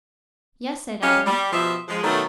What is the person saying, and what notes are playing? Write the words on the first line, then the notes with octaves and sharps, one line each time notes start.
"Yes," said Adam.
F2 C#4 G4 D#5 F5
G3
B2 F3 F4 G4 D#5 E5
F3 G#3
B2 D#3 F#3 A3